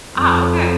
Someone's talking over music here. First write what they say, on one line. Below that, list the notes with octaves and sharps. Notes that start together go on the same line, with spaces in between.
Ah, okay.
F2